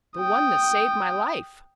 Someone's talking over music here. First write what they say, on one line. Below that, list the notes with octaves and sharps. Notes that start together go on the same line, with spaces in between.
"The one that saved my life."
G5 D#6